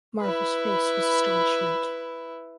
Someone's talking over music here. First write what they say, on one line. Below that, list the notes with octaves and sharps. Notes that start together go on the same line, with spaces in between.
Marvel's face was astonishment.
E4 B4